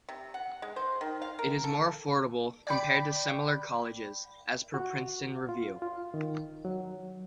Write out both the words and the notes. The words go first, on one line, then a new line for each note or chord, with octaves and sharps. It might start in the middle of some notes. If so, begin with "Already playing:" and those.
It is more affordable, compared to similar colleges, as per Princeton Review.
C3
F#5
G#3
C5
D#3
F5
A#4
A4
D5 G5 B5
F#4
F4
F4
D#3
F#3